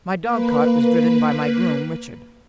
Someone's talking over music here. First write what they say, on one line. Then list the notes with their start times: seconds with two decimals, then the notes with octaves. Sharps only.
My dogcart was driven by my groom, Richard.
0.23 A#3 B4